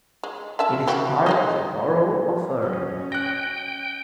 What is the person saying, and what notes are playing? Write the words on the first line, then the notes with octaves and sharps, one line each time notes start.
It is part of the borough of Verdun.
G#3
C#4 E5 A5
A#3 F#4 G4
G#3 D#4 D#5
F#3 C#4 F#4 D#5
G5 F#6 A#6